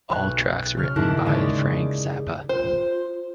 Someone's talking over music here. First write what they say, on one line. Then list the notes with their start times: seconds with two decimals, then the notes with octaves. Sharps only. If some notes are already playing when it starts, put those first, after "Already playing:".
All tracks written by Frank Zappa.
0.10 B1 F#6
0.77 C#3 F6
0.96 D#2 G#2 A#3 E4 A5 F#6
1.26 C#3 G#3 G4 G#4 D5 D6
2.49 F4 C5